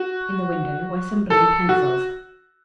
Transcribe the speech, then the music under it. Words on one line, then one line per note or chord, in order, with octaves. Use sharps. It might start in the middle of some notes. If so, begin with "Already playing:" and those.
In the window were some blue pencils.
Already playing: F#4
A4
F#4